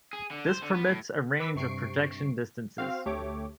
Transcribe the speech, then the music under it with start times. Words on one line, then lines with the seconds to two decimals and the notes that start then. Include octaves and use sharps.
This permits a range of projection distances.
0.13 G#4
0.31 D3
0.48 C5
0.62 D3
0.74 B3
0.87 A2
1.39 B4 D6 E6 B6
1.55 G2 C3 C#6 C7 D7
2.78 C4 F#4 F5
3.06 D2 A3 G4 C#5 D6